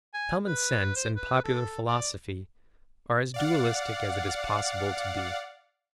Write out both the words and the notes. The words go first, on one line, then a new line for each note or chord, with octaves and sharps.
Common sense and popular philosophy are as dualistic as it is possible to be.
G#5
B4
C5
B4
A4
D5
D5 F5 F#5